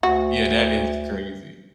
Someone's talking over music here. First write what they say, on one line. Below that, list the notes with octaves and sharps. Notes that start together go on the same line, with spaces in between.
Yeah, that is crazy.
D2 F#4